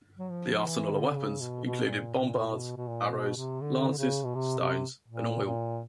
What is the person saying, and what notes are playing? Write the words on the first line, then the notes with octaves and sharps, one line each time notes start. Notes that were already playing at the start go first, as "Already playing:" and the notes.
The arsenal of weapons included bombards, arrows, lances, stones and oil.
F#3
F3
E3
D3
C#3
B2
B2
B2
A#2
A#2
B2
B2
A#2
B2
C3
D3
D3
C#3
B2
C3
C3
A#2
A#2